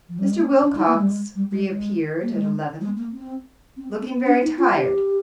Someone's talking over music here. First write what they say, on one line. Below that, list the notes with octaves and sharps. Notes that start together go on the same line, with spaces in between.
Mr. Wilcox reappeared at eleven, looking very tired.
F3
G3
G#3
A#3
C4
D4
D#4
A#3
G#3
G3
G#3
G3
G#3
G#3
A#3
G#3
G#3
A#3
C4
C4
C4
D4
D#4
F4
G4